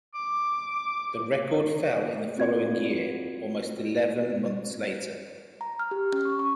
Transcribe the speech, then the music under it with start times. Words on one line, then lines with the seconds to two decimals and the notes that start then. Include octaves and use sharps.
The record fell in the following year, almost eleven months later.
0.15 D6
2.38 C4 F4 F#4 G#6
5.61 A#5
5.79 F6
5.91 G4
6.12 C#4
6.25 C#6
6.39 C#6